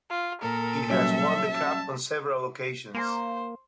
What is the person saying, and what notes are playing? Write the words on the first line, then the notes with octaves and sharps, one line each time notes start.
It has won the cup on several occasions.
F4
A#2 A4 A#4
F#3 G3 C#4 E5
A5
A#3 C5